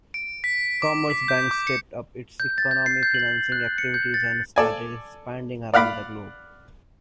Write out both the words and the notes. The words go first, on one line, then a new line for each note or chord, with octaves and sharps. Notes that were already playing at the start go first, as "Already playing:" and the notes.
Commerzbank stepped up its economic financing activities and started expanding around the globe.
D7
B6
D6
B6
G6
D6
C#7
G6
A6
G6
C7
G6
F#7
F#6
C#7
G6
A6
A4 D5 G#5
D5 F5 F#5 B5 D6